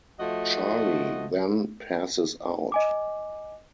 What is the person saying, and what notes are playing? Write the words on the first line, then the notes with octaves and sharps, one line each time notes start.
Charlie then passes out.
F3 A3 F#4 D#5
D#5 G#5 D6